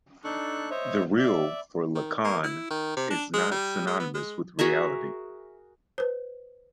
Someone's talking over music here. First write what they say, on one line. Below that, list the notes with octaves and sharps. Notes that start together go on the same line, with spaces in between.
The Real, for Lacan, is not synonymous with reality.
D4 D#4 A4 C#6 F#6
C5 C#5 D#5 E5
D5 E5
D#3
A#3
E4
D#3
C3
D4
G#3
G3
G#3
B3
G#3
F#4 G#4 A#4 E5
B4 C5